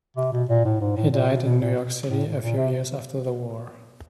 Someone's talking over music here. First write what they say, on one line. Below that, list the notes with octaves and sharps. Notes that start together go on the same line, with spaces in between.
He died in New York City a few years after the war.
C3
B2
A#2
A2
G#2
A2
A#2
B2
B2
A#2
A2
A2
A#2
C3